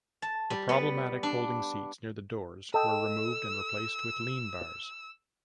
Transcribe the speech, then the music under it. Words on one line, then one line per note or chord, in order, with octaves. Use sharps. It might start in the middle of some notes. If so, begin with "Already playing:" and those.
The problematic folding seats near the doors were removed and replaced with lean bars.
A5
G3
B3
D4
A4 D#5 G5 E6